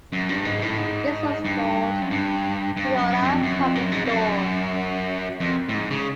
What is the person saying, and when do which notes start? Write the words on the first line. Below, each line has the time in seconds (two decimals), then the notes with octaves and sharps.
This was called "Toyota Public Store".
0.13 F#2
0.29 G2
0.45 G#2
0.62 A2
0.78 G#2
1.45 G2
2.02 F#2
2.10 G2
2.77 G2
2.93 F#2
3.10 F#2
3.23 F#2
3.27 F2
3.43 F#2
3.59 F2
3.75 F#2
3.92 G#2
4.05 F2
4.09 F#2
5.40 F2
5.69 A2
5.74 G#2
5.91 C#3